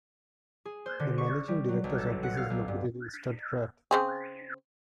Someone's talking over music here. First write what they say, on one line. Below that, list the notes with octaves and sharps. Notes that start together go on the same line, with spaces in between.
The managing director's office is located in Stuttgart.
G#4
C5
D3
C#6
G3
F#3
B1
A4
F#5
F5
B1
G2
C#3 C4 G#4